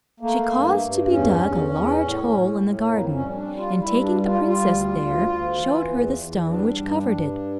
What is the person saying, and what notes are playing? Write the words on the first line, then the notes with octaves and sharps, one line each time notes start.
She caused to be dug a large hole in the garden, and taking the princess there, showed her the stone which covered it.
A3 A#3
G2
G2
E2 C#4
E2
E2
A2
A2
A2
F2 A#3
C#4
G3
D4
G3
F4
G2 E4
D4
G3
F4
G3
F4
D2
D2
D2
E3
E2
E2
G3 D4
G2
G2